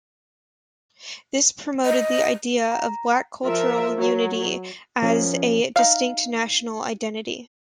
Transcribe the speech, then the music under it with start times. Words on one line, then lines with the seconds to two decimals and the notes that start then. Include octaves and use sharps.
This promoted the idea of black cultural unity as a distinct national identity.
1.86 D#5
2.72 A#5
3.45 F3 F4 A#4 E5
3.98 F#3
5.02 F3 C#4 A#4
5.76 D#4 F5